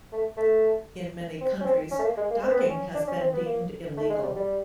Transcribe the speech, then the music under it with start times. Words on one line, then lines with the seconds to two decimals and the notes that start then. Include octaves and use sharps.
In many countries, docking has been deemed illegal.
0.12 A3
0.37 A3
1.41 C4
1.61 C#4
1.65 C4
1.91 C#4
1.99 A3
2.04 A#3
2.17 G#3
2.30 A#3
2.43 C4
2.50 B3
2.58 C4
2.69 C#4
2.94 D4
3.07 C#4
3.20 C4
3.33 B3
3.45 A#3
3.97 A3
4.09 G#3
4.22 G3
4.36 G3